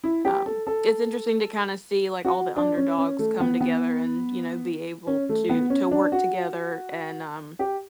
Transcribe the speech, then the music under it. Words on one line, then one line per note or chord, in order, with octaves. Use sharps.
um, it's interesting to kinda see, like, all the underdogs come together and, you know, be able to to work together and, um
E4
G4
A4
A4
F#4
D4
C#4
C#4
A3
B3
B3
C#4
A3
B3
C#4
D4
F#4
G4